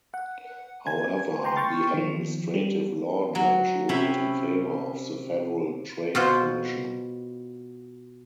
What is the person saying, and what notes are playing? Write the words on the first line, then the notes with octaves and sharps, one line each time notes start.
However, the Administrative Law Judge ruled in favor of the Federal Trade Commission.
F#5
G#5 G#6
G5 A#5 C6
G5 C6 C#6 F6 A6
D#3 F3
G3
F#3
C3 C#4 E4 G5 B5
B2 F4 C5 F#5